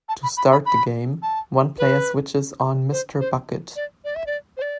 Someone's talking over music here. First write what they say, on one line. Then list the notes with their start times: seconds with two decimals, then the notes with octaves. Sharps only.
To start the game, one player switches on Mr. Bucket.
0.09 A5
0.23 B5
0.37 B5
0.52 B5
0.66 B5
1.22 A5
1.78 B4
2.92 C5
3.20 C5
3.76 D5
4.04 D5
4.15 E5
4.26 D5
4.57 C5
4.62 D5